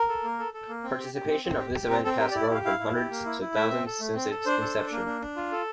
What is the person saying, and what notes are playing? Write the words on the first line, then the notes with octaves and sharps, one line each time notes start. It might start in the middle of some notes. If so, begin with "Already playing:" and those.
Participation of this event has grown from hundreds to thousands since its inception.
Already playing: A#4
A4
A#3
A4
A4
A#3
C4
G4
G4
C4
C4
G4
G4
C4 A#4
C4 A4
G4 A#4
D5
E4
D5
G4 F5
E4 F5
E4
G4
A#3
E4
E4
A3 E5
C4
A4
A3
C4
A4
D4 C5
A4
D4
A#3
D4
D4
F4
A4